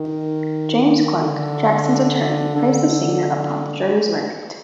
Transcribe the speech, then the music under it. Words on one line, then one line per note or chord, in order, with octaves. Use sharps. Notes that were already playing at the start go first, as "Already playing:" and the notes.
James Klenk, Jackson's attorney, praised the singer upon the jury's verdict.
Already playing: D#3
D3
D3